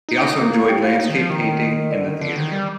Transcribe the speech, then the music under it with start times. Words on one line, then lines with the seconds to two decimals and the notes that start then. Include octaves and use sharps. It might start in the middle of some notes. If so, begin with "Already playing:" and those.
He also enjoyed landscape painting and the theatre.
0.09 D#4
0.39 A#3
0.69 G4
0.84 F4
1.00 D#4
1.09 D#3
1.15 F3
1.30 D#3
1.91 D3
2.06 D#3
2.21 D3
2.36 D#3
2.52 G3